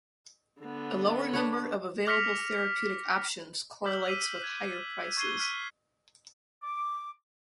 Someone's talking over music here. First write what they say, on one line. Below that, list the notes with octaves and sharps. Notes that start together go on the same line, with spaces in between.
A lower number of available therapeutic options correlates with higher prices.
D3 B3
D4 B4 C#5
D6 F6 A#6 B6 C#7 F7
D6 E6 F6 G6 B6 F#7
D6 E6 B6 D#7
F#6 G#6
C#6 G#6 B6 C7 D#7 G7
F6 F#6 B6 D#7 G7
D6